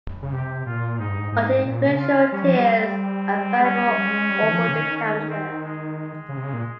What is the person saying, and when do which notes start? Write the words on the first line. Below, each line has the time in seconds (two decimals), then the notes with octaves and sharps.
Artificial tears are available over-the-counter.
0.22 C#3
0.33 C3 G4
0.66 A#2 F4
0.99 G#2 D#4
1.09 G2
1.18 G#2
1.32 G#2 D#4
1.65 A#2
1.88 C#3
1.99 F4
2.32 G3 C#4
2.43 F3
2.56 G3
2.65 C4
3.59 G#3
3.64 G3 C#4
3.86 G3
3.98 G3
4.08 G#3
4.30 G3
4.43 D#3
4.52 F3
4.68 C#3
4.74 D#3
4.97 C#4
5.29 C4
5.63 G#3
6.29 C#3
6.37 C3
6.43 C#3
6.53 A#2